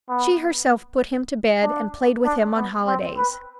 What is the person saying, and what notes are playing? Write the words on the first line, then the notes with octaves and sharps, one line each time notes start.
She herself put him to bed and played with him on holidays.
B3
D4
D4
B3
C4
B4